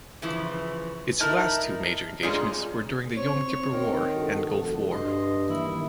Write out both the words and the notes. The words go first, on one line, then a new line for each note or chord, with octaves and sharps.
Its last two major engagements were during the Yom Kippur War and Gulf War.
C#3 E3 F3
D#4 E4 A#4 A5 F6
G#2 G#3 C#4 D4 F4 G#4
C4 C5 C#5
D#3
G2 F#4 A4
F1
G2 D#5 C6
D#3 E3 A#3 E4